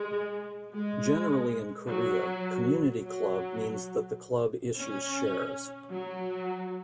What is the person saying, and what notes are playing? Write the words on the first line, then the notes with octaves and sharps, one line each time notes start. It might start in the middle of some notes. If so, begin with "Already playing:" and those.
Generally in Korea, 'community-club' means that the club issues shares.
Already playing: G#3
G#3
F#3
F#3
C#4
F#3